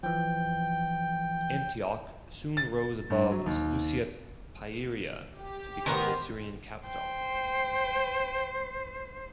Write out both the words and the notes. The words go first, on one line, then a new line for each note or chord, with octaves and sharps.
Antioch soon rose above Seleucia Pieria to become the Syrian capital.
E3 F3 G5
A6
G2
F#3
D#2
G4
D#3 B3 A#4 C5
C5 G5